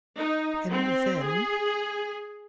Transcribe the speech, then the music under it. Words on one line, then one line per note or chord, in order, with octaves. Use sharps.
"And then?"
D#4
C4
G#4